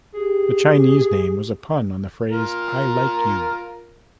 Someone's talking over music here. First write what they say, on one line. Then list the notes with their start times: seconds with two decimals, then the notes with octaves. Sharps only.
The Chinese name was a pun on the phrase "I Like You".
0.14 G4 G#4
2.30 F4 A#4